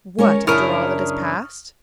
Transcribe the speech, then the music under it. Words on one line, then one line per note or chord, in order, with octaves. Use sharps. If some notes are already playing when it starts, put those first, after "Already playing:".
"What, after all that has passed?"
G#3 C#4 A#4 C#5
F#2 C#3 D4 E4 A#4 C#6 D#6 F6